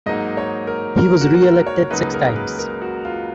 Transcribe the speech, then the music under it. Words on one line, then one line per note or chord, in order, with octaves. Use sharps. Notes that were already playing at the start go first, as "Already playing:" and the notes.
He was reelected six times.
G#2 F#3 A#3 D#4 D#5
C#5
A#4
A#4
F#4
A#4
C#5
C#2 C#3 F#3 A#3 D#4 B4
A#4
B4
A#4
F#4
F4